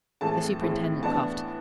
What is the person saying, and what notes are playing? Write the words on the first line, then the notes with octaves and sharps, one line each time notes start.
The superintendent coughed.
A2 E3 A3 C4 A5
A2 E3 A3 C4
A2 E3 B3 D4 A5